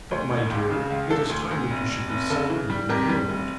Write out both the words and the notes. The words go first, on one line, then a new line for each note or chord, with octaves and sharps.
'But, my dear, it is time that you should be settled in the world.'
D2
E1
C#2 G4
C#3
C#2
E3 A4
D2
D2
F1
F1
F1
C#3 A4
E3
G3
F2 G4 A#4
G3
F1